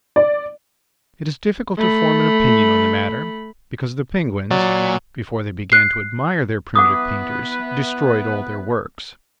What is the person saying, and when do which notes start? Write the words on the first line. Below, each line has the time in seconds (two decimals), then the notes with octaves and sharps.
It is difficult to form an opinion on the matter, because the Penguins, before they began to admire their primitive painters, destroyed all their works.
0.16 D5
1.77 A3 B5
4.51 A#2 F#3 D5
5.72 F#6 C7
6.75 E3 B3 B4 F#5 D6 D#6